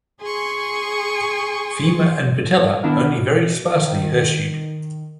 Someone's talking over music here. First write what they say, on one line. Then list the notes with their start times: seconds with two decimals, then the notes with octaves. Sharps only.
Femur and patella only very sparsely hirsute.
0.21 G#4 G#5 C6 C#6
2.83 D#3 B3 D4 E4 A#4
3.19 B2
3.75 D#3